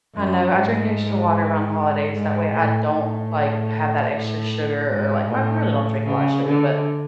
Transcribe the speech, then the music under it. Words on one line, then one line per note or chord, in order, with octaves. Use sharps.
I know, I drink extra water around holidays, that way I don't, like, have that extra sugar or, like well, I really don't drink a lotta sugar, but
F#2
G#2
G#2
A2
A2
A2
G#2
A2
C#3
D3